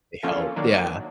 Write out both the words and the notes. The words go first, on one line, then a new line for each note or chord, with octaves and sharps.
they helped yeah.
F3 A#3 C#4 F4 A4
D#3 F#3 A#3 D4